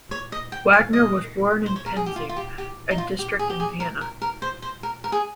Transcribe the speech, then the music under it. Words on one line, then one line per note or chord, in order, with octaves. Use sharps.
Wagner was born in Penzing, a district in Vienna.
C#5
D#5
G5
F5
D#5
C5
C#5
A#4
G#4
G4
F4
F4
G4
G4
D#4
F4
G4
G#4
G4
G#4
A#4
A#4
A#4
C5
C5
A#4
A#4
G#4